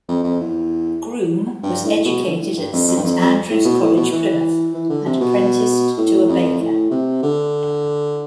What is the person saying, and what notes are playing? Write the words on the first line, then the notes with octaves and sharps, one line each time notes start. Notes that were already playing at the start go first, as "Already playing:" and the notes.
Groom was educated at Saint Andrew's College, Plymouth and apprenticed to a baker.
F2
F2
E2
G2
A2
B2
D3
A2
G2
F2
F2
G2
F2
F2
A2
B2
A2
B2
E3
E3
D3
C3
B2
A2
F2
A2
C3
D3